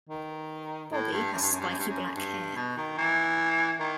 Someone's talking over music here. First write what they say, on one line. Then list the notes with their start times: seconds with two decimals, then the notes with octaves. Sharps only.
Bobby has spiky black hair.
0.09 D#3
0.92 A2
1.12 G2
1.33 F#2
1.42 G2
1.51 F#2
1.60 G2
1.69 F#2
1.79 G2
1.88 F#2
2.15 G2
2.56 B2
2.77 D#3
2.98 E3
3.79 D#3